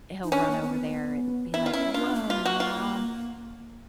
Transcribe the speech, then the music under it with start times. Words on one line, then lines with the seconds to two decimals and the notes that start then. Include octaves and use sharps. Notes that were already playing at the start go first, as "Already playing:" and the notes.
he'll run over there and be like, "Woah, mom,"
0.24 D#4
0.32 C#4 D4
0.51 A#3
0.62 B3
1.53 B3 E4
1.66 F4
1.74 C#4 E4
1.94 D4 F4
2.15 A#3
2.30 F4
2.46 F#4
2.60 F4